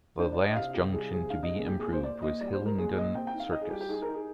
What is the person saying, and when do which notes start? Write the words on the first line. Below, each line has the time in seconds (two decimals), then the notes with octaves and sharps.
The last junction to be improved was Hillingdon Circus.
0.19 D4 C5
0.32 D4 D5
0.44 D#5
0.56 C3 F5
0.74 C3 G4
0.93 G3 G#4
1.11 C3 G#4
1.30 D4 F5
1.43 D#5
1.48 C3
1.55 G#4
1.67 A#2 G4
1.80 G#4
1.85 A#3
1.92 C5
2.04 A#2 D5
2.22 A#2 D#5
2.41 G3 D5
2.53 C5
2.59 G3
2.66 A#4
2.78 A#2 G#4
2.96 A#2 D#5
3.15 C4 G5
3.27 G5
3.34 D#4
3.40 F5
3.52 D#4 D#5
3.61 G#4
3.70 G3 G4
3.81 G4
3.89 D#4 G#4
4.02 A#4
4.08 D#4
4.14 G#4